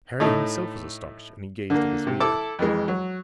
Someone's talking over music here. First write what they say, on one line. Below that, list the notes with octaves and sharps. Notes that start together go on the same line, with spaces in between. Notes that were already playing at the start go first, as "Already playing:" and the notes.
Harry himself was astonished, and he gazed at his leader.
A2 A3 D#4
D3 A#3
C3
E4 A4 D6 E6
F2 E3 G#3
F#3